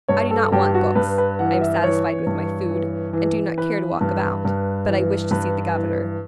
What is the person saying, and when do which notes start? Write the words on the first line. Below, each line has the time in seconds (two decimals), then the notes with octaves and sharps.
"I do not want books, I am satisfied with my food, and do not care to walk about; but I wish to see the governor."
0.08 G2 C#5
0.31 A4
0.52 G2 G4
0.74 F#4
0.95 G2 B4
1.18 B4
1.39 E3 F#5
1.61 E5
1.83 E3 C#5
2.27 G2
2.70 E3
3.13 E3
3.57 E3 B4
4.01 G2
4.45 G2
4.88 E3
5.31 G2 B4
5.75 E3